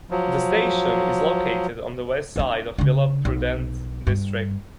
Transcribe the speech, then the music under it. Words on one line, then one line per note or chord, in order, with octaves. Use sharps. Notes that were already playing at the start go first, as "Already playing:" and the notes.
The station is located on the west side of Vila Prudente district.
F3 F#3
C4 D4
C#3 D4
B1
G2